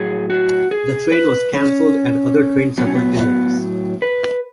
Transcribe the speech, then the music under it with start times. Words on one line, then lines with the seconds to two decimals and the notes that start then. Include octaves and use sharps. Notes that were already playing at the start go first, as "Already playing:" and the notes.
The train was cancelled and other trains suffered delays.
Already playing: A2 F#3 G#4
0.30 F#4
0.71 G#4
1.12 B4
1.54 C#4
2.78 A2 F#3 B3
2.87 C#4
2.95 B3
3.19 B3
4.02 B4